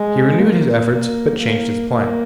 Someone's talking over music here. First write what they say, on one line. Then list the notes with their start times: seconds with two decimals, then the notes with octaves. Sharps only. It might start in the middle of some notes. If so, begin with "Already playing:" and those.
He renewed his efforts, but changed his plan.
Already playing: G#3
0.39 A#3
1.42 A#3
1.95 A#3